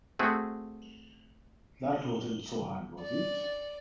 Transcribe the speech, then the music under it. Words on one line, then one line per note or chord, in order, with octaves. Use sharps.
That wasn't so hard, was it?
A3 C4 F#4 G#4
D5